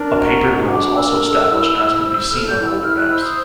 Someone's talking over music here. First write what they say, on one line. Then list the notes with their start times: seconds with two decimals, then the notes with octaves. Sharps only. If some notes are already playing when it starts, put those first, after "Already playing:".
A paper mill was also established as can be seen on older maps.
Already playing: D4 A#4
0.16 F#4 A#5
0.43 D4
0.65 D#6
0.69 D4 D6
0.96 A#4 E6
1.22 A4
1.50 E4
1.77 E4
2.03 C5
2.30 A4 F6
2.47 G6
2.57 E4
2.65 E6
2.83 E4 F6
2.96 F#6
3.10 C5 E6
3.24 D#6